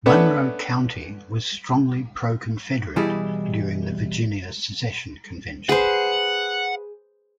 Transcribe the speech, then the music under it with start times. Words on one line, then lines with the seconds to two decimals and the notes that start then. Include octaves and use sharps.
Monroe County was strongly pro-Confederate during the Virginia Secession Convention.
0.06 A3 B3 C#4 D4 B4 F#5
2.96 B2 E3 G3 E4 G4 G#4
5.69 G#4 B4 C5 F#5